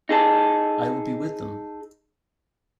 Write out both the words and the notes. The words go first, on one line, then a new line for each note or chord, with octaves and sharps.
I will be with them.
D#4 G#4 A4